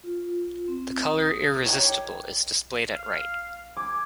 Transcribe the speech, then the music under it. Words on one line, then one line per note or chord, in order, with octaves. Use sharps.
The color irresistible is displayed at right.
F4
C4
D#6
D#3 F#3 G4 C#5
F5
G#5 D6